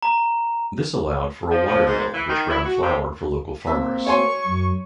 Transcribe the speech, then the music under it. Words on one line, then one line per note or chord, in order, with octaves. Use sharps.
This allowed for a water mill which ground flour for local farmers.
A#5
F3
F3
G#2
E3
D#3
E4
F#4
C3
A#3 C4 E5
C#5 G#5 C6 C#6
F#2